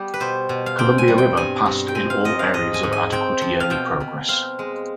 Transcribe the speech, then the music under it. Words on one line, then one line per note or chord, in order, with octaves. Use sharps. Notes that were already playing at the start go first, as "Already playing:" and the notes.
Columbia River passed in all areas of Adequate Yearly Progress.
Already playing: G3 B3 G4
B4
B2 C5
B2
F5
C4 G5
G#5
G3
G5
G2 G#5
G2
G5
C4 G#5
F5
F3 D#5
F5
G#2 D#5
G#5
G#2
G#5
C4 G5
F3
F5
B2 G5
B2
C4 F5
G#3